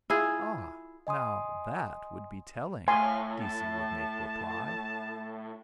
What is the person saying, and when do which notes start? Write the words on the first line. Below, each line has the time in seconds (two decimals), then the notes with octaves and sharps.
"Ah, now, that would be telling!" Deasey would make reply.
0.10 E4 F4 G#4
1.07 D#5 G#5 C6 D#6
2.88 A2 F5 G#5 C6
3.41 A5